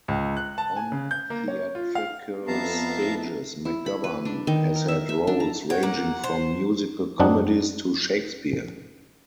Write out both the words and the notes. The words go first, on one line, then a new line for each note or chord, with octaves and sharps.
On theatrical stages, McGovern has had roles ranging from musical comedies to Shakespeare.
C#2
F#6
A5
G#5
C#3
G6
A#3
C#5
F4
F5
F2 B3 A4 E5 F5 A5 A#5
E4
B5
B4
D4
D#3
A#4
E5
E5
D4
A#5
F#4 C#5 G5
A#3 F#5
C5
F#2 C4 D4 D#4 F#5 G#5